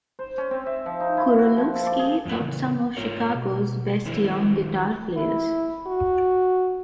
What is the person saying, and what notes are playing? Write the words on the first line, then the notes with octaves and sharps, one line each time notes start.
Curulewski taught some of Chicago's best young guitar players.
C5
C#4
C4
E5
F3
D#4
E4
F#4
F3
A4
D5
G#4
F2 A2 F#3 B4
C#3 E3
G#2 F4 A#4 C#5
B2
D#3 F3 E4 G4 A#4 C5
E4
F#4